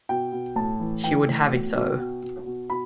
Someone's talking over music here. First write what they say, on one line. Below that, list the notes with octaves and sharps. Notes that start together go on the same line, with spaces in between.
She would have it so.
B2 G5
B2
A2 A5
E3
E3 G5
A2
B2
B2
B2
B2
B2
B2 B5